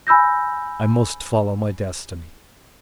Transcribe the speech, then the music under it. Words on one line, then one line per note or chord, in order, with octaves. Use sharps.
I must follow my destiny.
G#5 B5 E6 G6 A#6